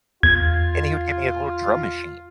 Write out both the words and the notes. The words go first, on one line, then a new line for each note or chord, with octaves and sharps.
and he would give me a little drum machine.
E2 F4 G#6